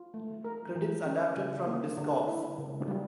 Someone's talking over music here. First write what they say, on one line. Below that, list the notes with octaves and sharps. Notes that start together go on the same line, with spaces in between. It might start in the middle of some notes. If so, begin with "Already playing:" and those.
Credits adapted from Discogs.
Already playing: F4
A3
A#4
E3
C#4
C#3
A#3
D3
E4
C#3
G3